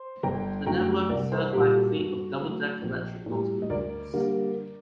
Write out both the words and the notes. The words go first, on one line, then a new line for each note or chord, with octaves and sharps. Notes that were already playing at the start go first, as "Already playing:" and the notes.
The network is served by a fleet of double-deck electric multiple units.
Already playing: C5
G1 G5 A#5
F#2 D3 A3 G5 A#5
C2 A#4 D5
A4 C5
A#2 G3 A#3 G4 A#4
F#4 A4
G2 F#4 A4
F#3 A3
A#1
A2 G3
D#5
D2 A#4 D5
D3 G3 A#3